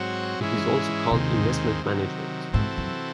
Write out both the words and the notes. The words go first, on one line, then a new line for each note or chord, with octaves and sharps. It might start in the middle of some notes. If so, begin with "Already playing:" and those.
It is also called investment management.
Already playing: G#2 F#3 C4 F#4 C#5
G#2 E3 G#3 C#4 E4
D#2 C3 D#3 G#3 C4
C3 D#3 F#3
G#2 C3 E3 C4 F#4 A4
F#2